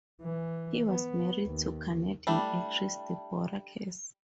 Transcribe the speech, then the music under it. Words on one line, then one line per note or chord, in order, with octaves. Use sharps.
He was married to Canadian actress Deborah Cass.
E3
B3
D#2
G3 A3 D4 E4